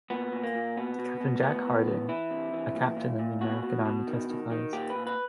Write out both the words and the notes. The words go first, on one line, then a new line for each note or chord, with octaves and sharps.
Captain Jack Harding, a captain in the American army testifies.
A#2 B3
A#2
A#3
A#2
B2 B3
B2
B2
A2 B3
A2
E3
E3 E4
C3
E3
A#2
A#2
A#2
B2 F#4
B2
B2
D#3
D#3
D#3
A#2 G4
A#2 B4
B4